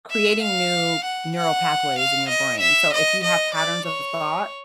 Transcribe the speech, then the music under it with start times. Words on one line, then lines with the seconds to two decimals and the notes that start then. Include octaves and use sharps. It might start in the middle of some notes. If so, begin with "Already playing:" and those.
creating new neural pathways in your brain, so if you have patterns of thought,
0.10 E5
0.42 F5
1.04 F#5
1.36 F#5
1.98 F5
2.29 D#5
2.60 E5
2.93 D#5
3.24 D#5
3.54 D5
3.86 C#5